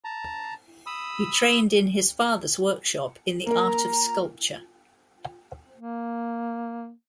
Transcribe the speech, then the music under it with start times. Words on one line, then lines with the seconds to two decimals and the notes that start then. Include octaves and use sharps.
He trained in his father's workshop in the art of sculpture.
0.04 A5 A#5
0.86 B5 D#6 E6
3.46 A#3 A#4 A#5
5.76 A#3